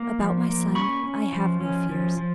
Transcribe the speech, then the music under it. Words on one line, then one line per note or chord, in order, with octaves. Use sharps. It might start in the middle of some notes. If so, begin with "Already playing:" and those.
About my son, I have no fears.
Already playing: A#3
F3
A#3
C#4 B5 C#6
C#4
F3
C#4
F3
F3